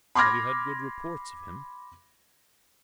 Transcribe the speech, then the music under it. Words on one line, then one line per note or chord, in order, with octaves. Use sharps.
"Have you had good reports of him?"
B5 C6 D6 F6 G#6 A#6